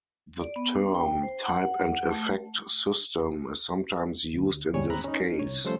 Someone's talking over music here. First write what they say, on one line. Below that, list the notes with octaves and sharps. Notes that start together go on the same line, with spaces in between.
The term "type and effect system" is sometimes used in this case.
D5
B3
D4
G5
C5
F#5
A3
D2
D2 G#2 G3 C#5 G#5
D#2 G#3 C4 A#5 B5 F#6
C#4 D#4
C2 C#5
F3 G3 A3 C#4 A4 C5